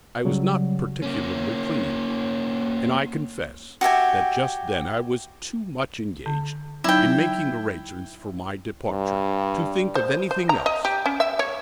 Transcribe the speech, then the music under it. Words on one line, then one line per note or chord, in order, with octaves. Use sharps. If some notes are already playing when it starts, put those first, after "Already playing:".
I was not particularly clean, and I confess that just then I was too much engaged in making arrangements for my departure to think of anything else.
C#3 F#3 G3
A#3 C#4
F#4 G4 E5 G#5
D3
F#3 D#4 E4 G5
G2
C5
C5
A#5
D#5
G4
C#4
E5
C#5